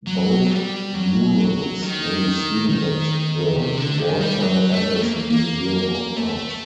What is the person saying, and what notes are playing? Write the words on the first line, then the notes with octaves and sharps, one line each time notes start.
Both murals may be seen at the 'Walter Anderson Museum of Art.
F#3
G3
F#3
D#3
D#3
C3
D3
D#3
G3
F#3
A3
A#3
A#3
A3